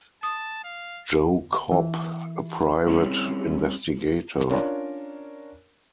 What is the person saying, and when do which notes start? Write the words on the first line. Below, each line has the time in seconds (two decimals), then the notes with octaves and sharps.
Joe Copp, a private investigator.
0.23 A5 D#6
0.64 F5
1.72 E3
2.87 G3 C4 C#4 E4 G#4
4.51 C#4 D4 F4 A#4 C#5